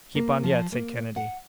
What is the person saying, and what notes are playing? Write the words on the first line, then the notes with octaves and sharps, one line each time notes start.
"Keep on yet," said Kennedy.
A#3
F3
A#3
F#5